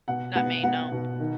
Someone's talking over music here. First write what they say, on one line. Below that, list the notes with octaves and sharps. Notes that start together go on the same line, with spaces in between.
Not me, no,
B2 F#5
B3 F#5
B3 F#5
B2
D#3